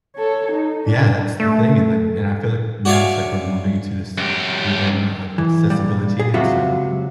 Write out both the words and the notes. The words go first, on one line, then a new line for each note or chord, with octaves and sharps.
Yeah, that's the thing, and, like and I feel like now it's, like, we're moving into this new era of accessibility, and so
A4 C#5
D#4
D4
A3
F#4 C#5 D5 E5 F5 G#5
F#2 G4
E3
A#2 G3
G#4
C#2 C3 F#3 F4 F#4 E5